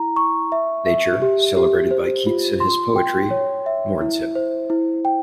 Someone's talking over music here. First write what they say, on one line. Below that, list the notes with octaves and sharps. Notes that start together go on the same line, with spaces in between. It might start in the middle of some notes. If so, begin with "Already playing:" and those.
Nature, celebrated by Keats in his poetry, mourns him.
Already playing: E4 A#5
C#6
E5
E5
G4
G4
C5
F4
C6
G5
C#5
E5
E4
C5
E4
G5